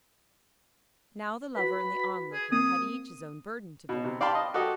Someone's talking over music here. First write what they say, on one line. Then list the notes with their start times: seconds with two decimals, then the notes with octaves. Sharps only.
Now the Lover and the Onlooker had each his own burden to bear.
1.56 F#4 B4 B5
2.32 G#4
2.52 A#3 C4 D#6
3.89 B2
4.05 C3
4.21 D5 F5 G5 A5 B5 C6
4.35 D#5
4.54 F#4 G4 A4 D#5